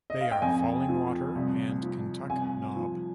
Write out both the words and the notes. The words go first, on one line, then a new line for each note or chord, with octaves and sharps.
They are Fallingwater and Kentuck Knob.
D#5
F5
G5
F2 G#5
F3
C2
F3
C2 G#5
F3